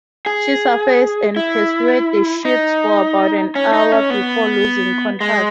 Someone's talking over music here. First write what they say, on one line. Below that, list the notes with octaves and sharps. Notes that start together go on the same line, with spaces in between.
She surfaced and pursued the ships for about an hour before losing contact.
G#4
E4
D#4
C#4
D#4
C#4
B3
G#3